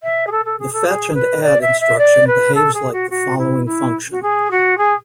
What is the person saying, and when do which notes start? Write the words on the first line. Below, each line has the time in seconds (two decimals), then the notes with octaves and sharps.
The fetch-and-add instruction behaves like the following function.
0.02 E5
0.26 G#4
0.31 A4
0.45 A4
0.59 G#4
0.72 A4
0.87 G#4
1.14 B4
1.43 D5
1.61 E5
1.80 E5
1.98 D5
2.27 B4
2.54 A4
2.73 G#4
2.92 F#4
3.10 F#4
3.38 E4
3.65 E4
4.11 F#4
4.22 G#4
4.51 F#4
4.77 G#4